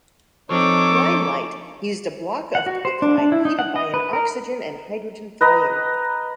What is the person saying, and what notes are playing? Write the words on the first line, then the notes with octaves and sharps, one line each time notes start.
Limelight used a block of quicklime heated by an oxygen and hydrogen flame.
F3 C4 D4 D#4 A4 C#5 D6
F#5
F#4
C5
D4
D4
E4
D#4
F#5
D#5
B4
A#4
B4 D#5 G5 A#5